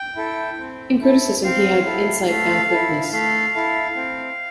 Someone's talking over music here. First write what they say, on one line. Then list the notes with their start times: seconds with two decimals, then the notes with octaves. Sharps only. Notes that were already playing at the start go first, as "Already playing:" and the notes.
In criticism he had insight and quickness.
Already playing: G5
0.16 E4 A4
0.58 C4
1.01 E4 A4
1.43 C4 F5
1.85 E4 A4
2.27 A3 F5
2.69 E4 A4
3.12 A3 F5
3.55 E4 A4
3.96 C4